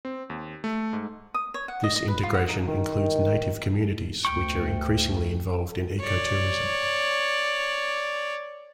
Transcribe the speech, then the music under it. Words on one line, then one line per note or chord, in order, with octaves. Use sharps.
This integration includes native communities, which are increasingly involved in ecotourism.
C4
D#2
A3
G#2
D#6
C#5
F#5
D#5
D#5
B4
F4
F#5
D#4
D#3
D2 G5 C#6
C#5 D5